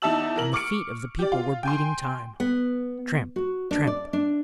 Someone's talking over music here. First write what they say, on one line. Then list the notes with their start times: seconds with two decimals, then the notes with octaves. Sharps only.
And the feet of the people were beating time--tramp, tramp.
0.02 E2 D#4 E5 A5 E6 F#7
0.36 E3 A#4 F#7
0.53 C#6 D6 F6 C#7 D7
1.19 G4 D5
1.32 F4
1.63 G5 G#5 C6
2.40 B3
3.36 F#4
3.71 D4
3.87 D5
4.13 D4